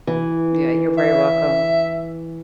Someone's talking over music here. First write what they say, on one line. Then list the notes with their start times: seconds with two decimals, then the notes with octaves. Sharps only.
Yeah, you're very welcome.
0.07 E3
0.98 E5